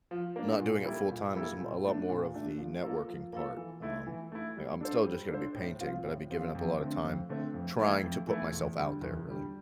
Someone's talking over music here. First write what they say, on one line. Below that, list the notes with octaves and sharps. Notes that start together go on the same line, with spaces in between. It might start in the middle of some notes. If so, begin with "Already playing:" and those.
not doing it full time is m a lot more of the networking part, um, like, I'm still just gonna be painting, but I'd be giving up a lotta time trying to put myself out there, really.
F3
A#3 D4
A#2
G3 A#3 E4 A4
A#2
G3 A#3 E4 A4
A#2
A3 D4
A#2
A3 D4
F3
A#3 F4 A4
F3
A#3 F4 A4
E3
A3 E4
E3
A3 E4
G3
D4 A4 C5
G3
D4 A4 C5
A2
F3 C4 F4
A2
F3 C4 F4
F2
D3 A3 C4
F2
D3 A3 C4
F2
E3 A3 E4
F2
E3 A3 E4
E2
D3 G3
E2
D3 G3